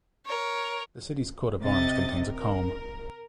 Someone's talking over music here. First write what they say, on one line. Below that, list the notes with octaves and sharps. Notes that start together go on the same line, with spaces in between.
The city's coat of arms contains a comb.
A#4 C#5
C3 D#5 A6
A#4